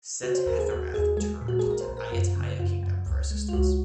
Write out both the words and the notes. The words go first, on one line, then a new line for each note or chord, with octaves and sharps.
Setthathirath turned to Ayutthaya Kingdom for assistance.
C#3 F#4
C5
D#2 A#4
G#4
D#2 F#4
D#2 G#4
G#3 G#4
A#2
F#4
G#4
A#1
A#4
C5
A#1
A#4
F#2 F4
C#3
F#2 F4
F#2
C#2
G#3
F4
C#2 F#4